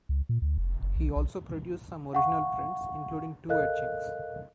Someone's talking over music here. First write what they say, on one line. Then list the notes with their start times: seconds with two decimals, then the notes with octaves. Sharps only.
He also produced some original prints, including two etchings.
0.09 C#2
0.29 A#2
0.42 D2
0.58 F1
0.82 F#1
0.96 B1
1.16 B1
2.13 F5 F#5 C#6
3.49 A4 A#4 D#5 F5 F#6